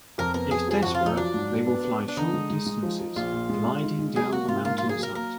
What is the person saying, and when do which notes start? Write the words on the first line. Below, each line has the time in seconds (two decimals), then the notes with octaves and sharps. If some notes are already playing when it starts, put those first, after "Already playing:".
If desperate, they will fly short distances, gliding down the mountainside.
0.18 F2 A#4
0.34 B3 A#4
0.51 F2 G#4
0.68 F3 G#4
0.82 F2 F#4
0.95 F4
1.01 F3
1.06 D#4
1.17 F#3 D4
1.34 G#2
1.50 F#3
1.67 B3
1.84 B3
2.00 B3
2.08 D4
2.17 D3 D#4
2.33 G#3
2.50 G#3
2.66 G#3
2.83 F3
3.00 F3
3.16 A#1 F4
3.33 A#2
3.49 G#3
3.66 G#3
3.83 D#4
3.99 G#3
4.15 F#3 G#4
4.32 A#3 F#4
4.48 G#2 F4
4.65 A#3 F4
4.78 F#3 F4
4.89 G#4
4.98 F#3 A#4
5.15 A#3 A#4